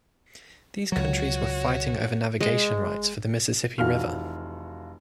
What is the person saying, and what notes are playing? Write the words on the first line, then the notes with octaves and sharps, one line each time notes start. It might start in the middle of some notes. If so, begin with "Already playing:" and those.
These countries were fighting over navigation rights for the Mississippi River.
C#2 F#3 F#4 C#5
G#3
F1 E3 F4 F#4 F6